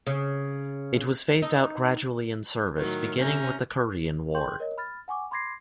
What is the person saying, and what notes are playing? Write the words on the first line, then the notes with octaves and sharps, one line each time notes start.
It was phased out gradually in service beginning with the Korean War.
C#3
D#4
A2 D#3 F#3
C3 C#4 A#5 G6
G#4 G5 C6 C#6 G6 F#7
A#4 C#5 D#5
B5 F6 A6
F#5 G#5 C#6 D6
B5 C6 D6 G#6 A#6 C7